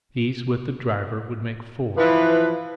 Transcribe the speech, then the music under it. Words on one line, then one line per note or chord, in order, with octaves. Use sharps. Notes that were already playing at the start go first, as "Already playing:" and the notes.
These, with the driver, would make four.
E3 F3 B4